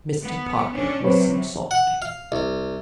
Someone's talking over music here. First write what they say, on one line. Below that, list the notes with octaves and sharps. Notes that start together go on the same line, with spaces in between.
Mr. Parker whistled softly.
B3
C#4 D4
C3 F#3 C4 B4 C#5
F#5
F5
C2